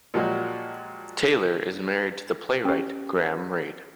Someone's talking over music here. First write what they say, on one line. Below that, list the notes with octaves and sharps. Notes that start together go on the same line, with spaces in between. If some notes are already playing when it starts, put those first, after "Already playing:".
Taylor is married to the playwright Graham Reid.
A#2 F3 F#3 G#3 F#4 G4
C#4 G4